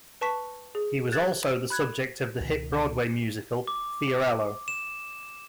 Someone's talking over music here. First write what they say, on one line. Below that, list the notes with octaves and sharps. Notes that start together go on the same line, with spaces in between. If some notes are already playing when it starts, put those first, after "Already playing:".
He was also the subject of the hit Broadway musical Fiorello!
B4 A5 C#6 B6
G#4
F#6 G#6 A6 E7
B5 F#6 G#6
C#2 B2 D#3
D6
E7